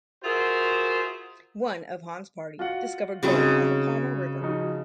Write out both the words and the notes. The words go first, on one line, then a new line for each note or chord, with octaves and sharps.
One of Hann's party discovered gold on the Palmer River.
F4 F#4 G#4 A#4 C5 E5
F4 F#4 F#5
C#3 F#3 G3 C4 D#4
F3 D#4 F#4